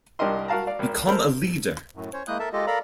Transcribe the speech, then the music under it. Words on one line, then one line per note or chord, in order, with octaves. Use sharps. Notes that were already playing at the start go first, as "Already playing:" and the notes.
Become a leader!
C2 D4 G4 A#4 D#5 C6
F#4 A#4 F5 A5 A#5
D5 F5
G#1 A#4
A3 A#4 C5
F#2 A2
C#4 C5 C#5
G#3 A#3 E4 D#6 F#6 G6
A4 A#4 E5 A5
G#3 F4 G4 A4 D#5
A4 A#4 D5 F5 A#5 B5